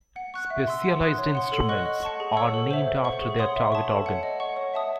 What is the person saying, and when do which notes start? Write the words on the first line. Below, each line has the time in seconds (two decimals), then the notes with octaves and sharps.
Specialized instruments are named after their target organ.
0.16 F#5
0.34 C#6 F#6
0.50 E5
0.67 C6 E6
0.84 F#5
1.01 C6 D#6 F#6
1.18 C#5
1.35 F#5 C6
1.52 A4
1.69 D#5 F#5 C#6 F#6
1.86 D#5
2.03 F#5 A5 C#6
2.20 G#4
2.37 C#5 F#5 C#6 E6
2.54 A4
2.71 C5 E5
2.87 C5
3.04 F#5 C#6
3.21 G#4
3.38 C#5 F#5 C6 D#6
3.56 E5
3.72 A5 C#6
3.89 A4
4.06 C#5 F#5
4.23 D#5
4.40 F#5 C#6
4.57 C#5
4.74 E5 A5 D#6